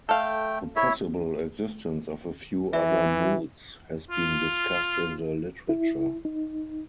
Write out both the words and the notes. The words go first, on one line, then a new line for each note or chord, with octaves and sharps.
The possible existence of a few other moods has been discussed in the literature.
A3 A4 F5 G5
E4 C#5 E5
E3 E5
F4
E4
D#4